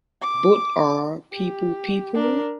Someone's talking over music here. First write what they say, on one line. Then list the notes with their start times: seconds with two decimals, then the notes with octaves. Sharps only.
Both Are People People?
0.22 D6
1.32 G4
2.15 D4 A#4